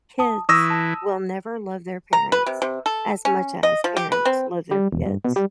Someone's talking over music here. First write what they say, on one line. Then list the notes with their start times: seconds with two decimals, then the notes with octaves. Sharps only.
Kids will never love their parents as much as parents love their kids.
0.19 A5 D#6
0.49 E3 C#6 D#6 E6 A#6
0.70 A5
2.13 A#5
2.32 B4
2.47 C3
2.62 C3
2.86 A4
3.25 C#4
3.63 D#5
3.84 F3
3.97 G4
4.12 B4
4.25 C4
4.71 G3
4.92 E1
5.06 G2
5.25 B2
5.36 G3